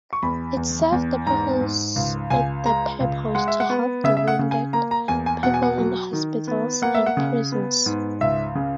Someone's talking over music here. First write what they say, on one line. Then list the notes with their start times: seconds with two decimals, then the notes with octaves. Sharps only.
It served the purpose to help the wounded people in hospitals and prisons.
0.13 C#6
0.23 E2 B5
0.57 E2
0.92 E2
1.26 G#2 A#5
1.61 G#2
1.96 C#2
2.30 C#2 G#5
2.65 G#3 A#5
3.00 C#2
3.35 G#3 F#5
3.48 E5
3.60 F#5
3.69 B3
4.04 C#3 E5
4.17 E5
4.28 F#5
4.39 C#3
4.51 G#5
4.73 A#3 A#5
4.91 A#5
5.08 E2 G#5
5.26 G#5
5.43 B2 F#5
5.54 G#5
5.63 F#5
5.78 F#3
6.13 D#3
6.47 B3
6.82 A#3 F#5
6.95 E5
7.06 F#5
7.17 C#3
7.52 B3
7.86 G#2
8.21 C#2 E5
8.55 C#3